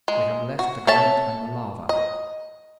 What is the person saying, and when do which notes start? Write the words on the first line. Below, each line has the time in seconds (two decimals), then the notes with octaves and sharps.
We have left the granite and the lava.
0.08 G#3
0.59 F#4
0.87 A4 C#5 E5 A5
1.89 D#5